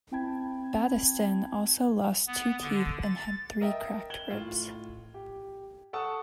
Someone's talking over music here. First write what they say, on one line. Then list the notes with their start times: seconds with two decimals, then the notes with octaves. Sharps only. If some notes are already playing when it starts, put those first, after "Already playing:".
Battiston also lost two teeth and had three cracked ribs.
0.11 C4 E4 G5 A5 B5 G#6
2.27 B3
2.61 D3
3.02 A6
3.61 A#4 D#5 E5 G5
4.10 G#6 E7 F#7 G7
4.31 A2 F4
5.14 G4
5.93 A4 F#5 A5 C#6 D#6